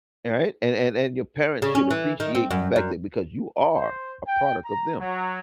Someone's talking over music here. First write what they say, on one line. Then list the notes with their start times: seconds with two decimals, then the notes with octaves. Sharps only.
Alright. And and and your parents should appreciate the fact that because you are a product of them
1.62 C#3
1.75 C#4
1.91 E3
2.20 D#3
2.35 C4
2.51 F#2
2.76 F#2
3.76 C5
4.27 G5
4.65 A#5
4.99 F#3